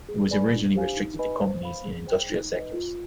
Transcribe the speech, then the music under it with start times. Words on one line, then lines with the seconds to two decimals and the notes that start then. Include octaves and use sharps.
It was originally restricted to companies in industrial sectors.
0.09 G#4
0.31 B4 D5 G#5 B5
0.53 D4
0.75 G4 C5 F5 G#5
0.97 D#4
1.19 B4 D#5 G#5 B5
1.41 C5
1.63 F5 B5
1.85 G#4
2.07 C5 G5
2.30 D#4
2.52 B4 D#5
2.73 F4